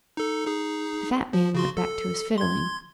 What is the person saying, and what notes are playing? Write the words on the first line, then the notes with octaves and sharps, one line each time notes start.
The fat man went back to his fiddling.
D#4 A4
D#4 G#4
F3
C#3 F#4 C6
A4
C6 G#6